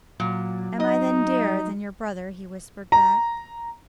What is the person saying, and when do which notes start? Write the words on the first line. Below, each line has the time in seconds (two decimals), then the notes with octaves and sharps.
"Am I then dearer than your brother?" he whispered back.
0.20 A#2 F#3
0.80 D#4 D#5
2.92 A#5